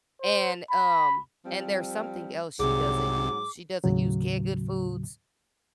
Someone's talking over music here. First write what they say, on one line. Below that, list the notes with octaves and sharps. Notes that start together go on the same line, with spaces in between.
and, um, and there's something else she doesn't use. She doesn't use canned good foods,
C5
B5
F3 G3 C4
C2 G#2 C3 F#3 G#4 C#5 D6
D#2 A2 C#3 F#3